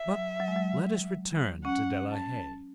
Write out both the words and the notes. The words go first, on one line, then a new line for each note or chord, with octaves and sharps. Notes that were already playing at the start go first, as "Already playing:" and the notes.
But let us return to De la Haye.
Already playing: E5
F#3
F#3
G#3
F#3
C#4 F#5
A5